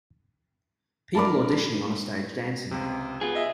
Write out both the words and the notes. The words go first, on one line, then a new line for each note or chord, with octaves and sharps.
People auditioning on a stage dancing.
D4 A#4 D5 A5 B5 D6
C#2 C3
B3 F4 G#4
D#5 E5